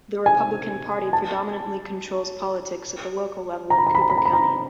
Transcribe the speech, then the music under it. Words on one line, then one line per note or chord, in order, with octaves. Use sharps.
The Republican Party predominantly controls politics at the local level in Cooper County.
G#5
A5
A#5
B5
A#5
B5
A#5
B5
A#5
B5
A#5